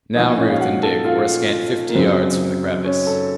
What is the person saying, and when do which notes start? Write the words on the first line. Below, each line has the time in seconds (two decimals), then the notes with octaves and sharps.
Now Ruth and Dick were a scant fifty yards from the crevice.
0.15 F3 D#4 D#5
0.20 A#2
0.37 C#4 C#5
0.50 F5
0.60 F#4 F#5
0.83 A4 A5
1.05 F4 F5
1.89 A#4
1.94 F#2 C#3 F#3 C4 C5
2.85 C#4 C#5
3.07 A4 A5